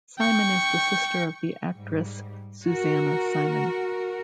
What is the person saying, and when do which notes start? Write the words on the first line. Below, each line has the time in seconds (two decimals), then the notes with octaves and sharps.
Simon is the sister of the actress Susanna Simon.
0.18 G5 C#6
1.74 G#2 G3
2.66 F#4 A#4